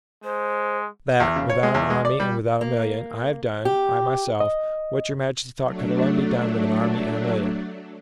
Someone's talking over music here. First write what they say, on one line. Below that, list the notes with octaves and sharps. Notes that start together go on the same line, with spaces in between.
"That, without an army and without a million, I have done--I, myself--what your majesty thought could alone be done with an army and a million."
G#3 C5
E2
C#3
C#5
G#3
E2
G#3
D5
G3
A#3
G4
D#5
F#3 A3 D4